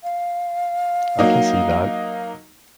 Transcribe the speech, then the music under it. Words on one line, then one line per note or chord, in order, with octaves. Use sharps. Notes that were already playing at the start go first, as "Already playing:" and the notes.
I can see that.
F5
F#3 A#3 D#4